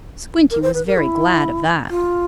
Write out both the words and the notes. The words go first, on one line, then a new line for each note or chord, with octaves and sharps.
Squinty was very glad of that.
A#4
C5
B4
A#4
E4
F4